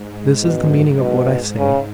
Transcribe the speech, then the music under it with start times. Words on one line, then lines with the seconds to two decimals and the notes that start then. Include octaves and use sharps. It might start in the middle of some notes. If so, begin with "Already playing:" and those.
This is the meaning of what I say.
Already playing: G#2
0.42 F#2 B2
0.99 G#2 B2
1.58 C#3